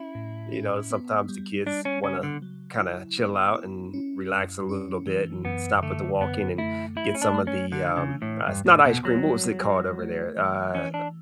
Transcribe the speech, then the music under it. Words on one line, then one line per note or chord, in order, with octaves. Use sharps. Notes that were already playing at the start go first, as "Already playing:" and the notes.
you know, sometimes the kids wanna kinda chill out and relax a little bit and stop with the walking and get some of the, um, uh, it's not ice cream, what was it called over there? Uh,
Already playing: C#4 E4
A2
C#4
B3
G3
G3 D4
C#4
C#3 C#4
D3
F#3
E4
B3
E4
C#4
F#2
C#4
E3
F#2 B3
D3 A3
F#2 B3
A3 E4
A3 E4
C#4
D4
A3
C#4
D3 D4
C#3
E3
A2
E2 G2
A2
B2 B3
F#3
G3
G3
A3
E3
E3 C#4
D4